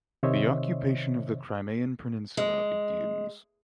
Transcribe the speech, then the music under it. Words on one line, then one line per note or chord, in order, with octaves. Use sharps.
The occupation of the Crimean peninsula begins.
C3 D#3 C5 C#5 D#5 E5
G#3